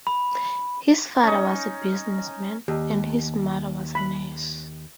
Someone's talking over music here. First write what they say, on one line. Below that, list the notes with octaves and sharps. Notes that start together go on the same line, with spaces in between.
His father was a businessman, and his mother was a nurse.
B5
C#4 D#4
D#2 G4
B5